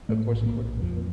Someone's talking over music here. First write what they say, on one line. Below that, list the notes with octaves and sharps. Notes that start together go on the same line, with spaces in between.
Of course, of course, welcome.
A2 A3
A#1
A#3
A#1
F2 F3